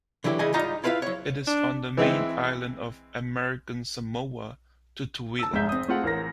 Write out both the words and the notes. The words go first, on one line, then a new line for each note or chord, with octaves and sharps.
It is on the main island of American Samoa, Tutuila.
D3 E3 F#3 E4 G4
C#3 E3 G#3 D#5 G#5
G#2 G3 D#4 F4 D#5 A#5
E4 F4 B4 E5 F5
F#3 C#5
D4
E3 G#3 C4 E4
A5 E6
F1 G#2 G#3 E5 G6 B6
C4 D#6
A3 C4 F4 G#4 F#5
A1 A#4 A#6